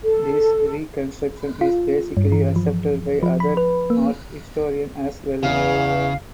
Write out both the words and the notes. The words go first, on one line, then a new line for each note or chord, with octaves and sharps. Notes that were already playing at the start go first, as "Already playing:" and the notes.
This reconstruction is basically accepted by other art historians as well.
A4
F4
G2
E3
F3
F3
B5
B4
A#3
E2 C#3 F5